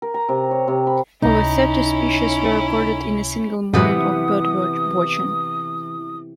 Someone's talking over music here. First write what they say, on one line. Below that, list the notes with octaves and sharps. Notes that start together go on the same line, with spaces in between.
Over thirty species were recorded in a single morning of bird watching.
A#4
A#5
C3
C#5
C3
B5
C#2 C3 C#4 D#4 E4
F#2 A2 C3 E3 F#3 B3 F#5 D#6